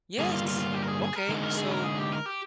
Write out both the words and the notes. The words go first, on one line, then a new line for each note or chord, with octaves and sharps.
yes. Okay. So,
G2 D3 G3 A#3 G#4
F4
F4
F4
G4
A#4
G#4
G#4
A#4
D3 G#3 D#4
A#4
G#4
A#4
G#4
G4
A#4
G4